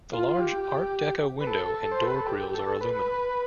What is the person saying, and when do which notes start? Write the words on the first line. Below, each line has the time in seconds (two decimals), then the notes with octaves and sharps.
The large Art Deco window and door grilles are aluminum.
0.13 F4
0.28 F4
0.39 G4
1.41 B4
1.47 A4
1.91 C5
2.03 B4
2.15 A4
2.27 G4
2.49 G4
2.54 A4
2.81 B4